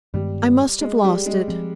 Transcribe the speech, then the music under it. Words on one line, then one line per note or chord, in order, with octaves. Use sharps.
"I must have lost it."
G2 D#3 G3 G#3 B3
G#3
G3
G#3
F3 C4